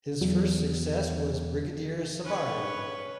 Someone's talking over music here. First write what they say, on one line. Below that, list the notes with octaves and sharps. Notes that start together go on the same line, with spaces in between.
His first success was "Brigadier Sabari".
E2 F#3
C#4 B4 C#5